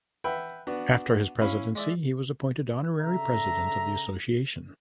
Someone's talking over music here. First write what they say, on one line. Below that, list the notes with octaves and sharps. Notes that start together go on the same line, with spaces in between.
After his presidency he was appointed Honorary President of the Association.
B4 E5 F#5 G5 B5
B3 D4 F#4
C#4 E4 F5 B5
G#3 D5 E5
C#3 D4 A4 E5 A#5